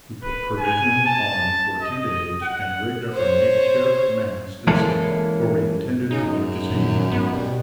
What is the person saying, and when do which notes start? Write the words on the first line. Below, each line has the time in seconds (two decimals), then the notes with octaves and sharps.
We put provisions on for two days and rigged up a make-shift mast and sail, for we intended to go to sea.
0.23 B4
0.58 G#5
1.06 A5
1.82 D#5
2.43 F#5
3.14 C5 C#5
4.67 E3 G#3 A#3 C#4 E4 A4
6.11 C#3 D#4
6.25 F#2
6.70 G2 A#2 D#3
7.11 G#2 B3
7.33 B2 G3